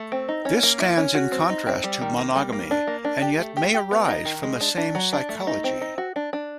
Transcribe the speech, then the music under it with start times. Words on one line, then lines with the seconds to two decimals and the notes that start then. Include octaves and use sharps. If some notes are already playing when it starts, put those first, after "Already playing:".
This stands in contrast to monogamy, and yet may arise from the same psychology.
Already playing: A3
0.12 C4
0.29 D#4
0.45 C#4
0.63 A#3
0.80 E4
0.97 C#4
1.15 F#4
1.32 C4
1.50 D#4
1.67 C4
1.84 G3
2.01 D#3
2.18 A#3
2.36 G3
2.52 A#3
2.71 D4
2.87 A#3
3.05 D4
3.22 G4
3.39 A3
3.57 G4
3.74 G4
3.91 B3
4.08 D#4
4.25 D#3
4.43 G#3
4.61 D4
4.77 D4
4.95 F#3
5.13 D4
5.29 A3
5.47 D#4
5.64 C4
5.81 D#4
5.98 F#4
6.16 D4
6.33 D4